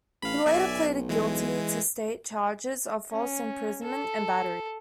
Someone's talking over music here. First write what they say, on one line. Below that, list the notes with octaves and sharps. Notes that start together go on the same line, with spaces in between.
He later pleaded guilty to state charges of false imprisonment and battery.
A1 F5 B5
B1 D5 E5 G#5
E3 G#3
C#4
A4